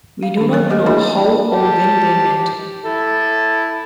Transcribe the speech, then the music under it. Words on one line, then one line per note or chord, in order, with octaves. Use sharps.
We do not know how or when they met.
F5
D#3 D4
F#3 A#4 C#5
A3 A#3 G4 D#5
D4 E4 F#4 G#4 D#5 B5
G4 A5
E4 A4